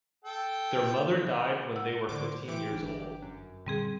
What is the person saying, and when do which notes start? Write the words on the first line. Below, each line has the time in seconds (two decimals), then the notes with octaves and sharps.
Their mother died when they were fifteen years old.
0.25 A4 G5
1.76 F#5 E6
2.09 A2 D3 C5 D6
2.48 E3 G4 D6
2.73 G1 D4
3.22 F#2
3.66 A#2 D3 G3 C4 G#4